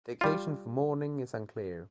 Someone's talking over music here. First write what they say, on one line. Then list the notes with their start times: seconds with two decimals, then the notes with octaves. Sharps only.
The occasion for mourning is unclear.
0.21 G3 F4